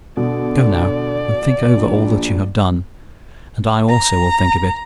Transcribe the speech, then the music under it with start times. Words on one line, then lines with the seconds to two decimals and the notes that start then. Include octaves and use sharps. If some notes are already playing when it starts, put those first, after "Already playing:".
Go now and think over all that you have done; and I also will think of it.
0.17 B2 D3 D5
1.76 A#1
3.89 A#5